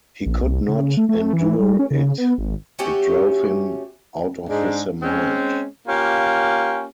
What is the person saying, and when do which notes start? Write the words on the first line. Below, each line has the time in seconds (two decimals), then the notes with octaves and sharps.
He could not endure it — it drove him out of his mind.
0.26 A#1
0.42 C2
0.68 C#3
0.97 A3
1.09 A3
1.33 E3
1.60 G3
1.79 C#4
1.91 C#3
2.18 B3
2.38 G#1
2.79 A3 C#4 F#4 G4
4.49 G#2 G#3 D4
5.02 G#3 C4 C#4
5.88 A#3 C#4 F4 G4